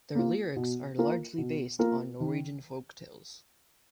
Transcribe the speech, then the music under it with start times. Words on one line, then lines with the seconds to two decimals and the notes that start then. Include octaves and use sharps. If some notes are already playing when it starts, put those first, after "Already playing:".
Their lyrics are largely based on Norwegian folk tales.
0.15 A#3 F4
0.56 B2
0.98 A#3 F4 A#4
1.38 B2
1.79 A#3 F4 A#4
2.20 D#3